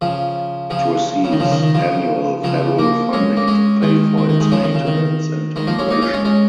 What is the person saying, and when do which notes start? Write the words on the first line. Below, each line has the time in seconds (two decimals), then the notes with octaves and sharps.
It receives annual federal funding to pay for its maintenance and operation.
0.01 C#3 F3
0.70 C#3 F3
1.24 C#3
1.32 D#3
1.40 C#3 F3
1.52 D#3
1.63 D#3
1.75 C#3 F3
2.44 C#3 F3
2.79 F3 A#3
3.13 G#3 C#4
3.37 A#3
3.47 G#3 C#4
3.82 D#3 G#3
4.17 D#3
4.29 D#3
4.40 D#3 G#3
4.52 C#3 F3
4.63 D#3
4.75 C#3
4.87 D#3
5.56 D#3 G#3
5.67 F3 A#3
5.79 G#3 C#4
5.91 A#3 D#4
6.02 C#4 F4
6.14 G#3 C#4
6.25 G#3 C#4